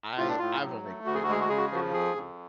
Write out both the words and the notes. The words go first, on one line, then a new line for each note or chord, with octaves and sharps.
I I've only played it a very few
A2 F4
D4
A2 F4
F#3
A3
D2 F#4
G#4
F#4
G#3 G#4
F#4
C#3 G#4
F#4
G#4
F3 F#4
F2 G#4
F2